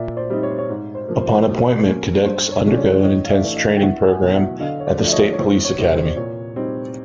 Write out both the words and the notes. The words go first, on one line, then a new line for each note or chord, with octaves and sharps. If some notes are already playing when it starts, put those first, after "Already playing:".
Upon appointment, cadets undergo an intense training program at the State Police Academy.
Already playing: A#2 D5 E5
C5 D5
G3 C4 D#4
C#5
C5
C#5
G#2
C5
F3 A#3
C5
C5
B2
F#3 A#3 C#4
G2 C5
C#5
D3 F3 G#3 C#4
D5
C#5
A2 C#5 D#5
F5
D5 E5
E3 A3 D4
D#5 F5
G5
E2 E5 F#5
F#5 G#5
B2 F#3
E5 F#5
D3 D#5 F5
C#5
C5 D5
F3 A3 D4
E5
C#5 D#5
C#5
E2 C5
C#5
C3 E3 G3 C4
C5
D5
A#2 C#5
G3 C4 D#4